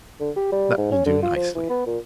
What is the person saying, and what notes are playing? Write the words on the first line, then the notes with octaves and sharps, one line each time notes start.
That will do nicely.
D3
G4
G3
G#2
C#4
D3
F4
F3
E3
B3
A#2